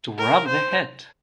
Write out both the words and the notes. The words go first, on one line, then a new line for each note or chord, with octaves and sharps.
To wrap the head.
A#4
C5